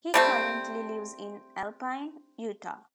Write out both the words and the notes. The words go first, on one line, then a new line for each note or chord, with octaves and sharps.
He currently lives in Alpine, Utah.
G3 A3 C4